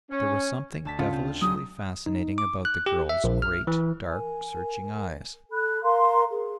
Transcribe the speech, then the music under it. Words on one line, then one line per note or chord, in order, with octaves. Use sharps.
There was something devilishly fascinating about the girl's great, dark, searching eyes.
C#4
D2 A5 B6
C#3 C#4 F4 F#5
C4
C#2 F#3 G4 G#4 D#6
D#4
D6
F#6
G4
E5
A#1
F6
E3
A#4 G#5
A4 B5 F#6
A#4 F5 A#5 C6
G#4 A#4